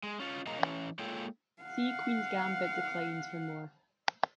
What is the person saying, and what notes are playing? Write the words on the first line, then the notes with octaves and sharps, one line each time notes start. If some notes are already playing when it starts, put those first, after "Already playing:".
See Queen's Gambit Declined for more.
G#3
C#4 F4
B2 G#3 A#4 D#5 F5 A#5
E3 C#4
G#3 A#3 F4 A4 C#5 G5
F5 F#5